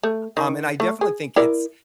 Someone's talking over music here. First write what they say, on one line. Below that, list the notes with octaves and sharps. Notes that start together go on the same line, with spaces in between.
Um, and I definitely think it's
A3
D#3
A3
G#4
E4 A#4 D5